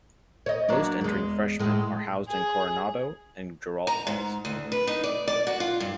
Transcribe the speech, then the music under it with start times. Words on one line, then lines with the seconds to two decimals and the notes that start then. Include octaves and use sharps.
Most entering freshmen are housed in Coronado and Girault Halls.
0.46 C#5 D#5
0.69 F#3 A#3 D4
1.01 E2 G#3
1.59 A2 G#3
2.29 G#4
3.87 A#5
4.07 G#2
4.45 D2
4.72 B4
4.87 D#4
5.04 D5
5.27 D5
5.47 F#4
5.60 F4
5.80 G2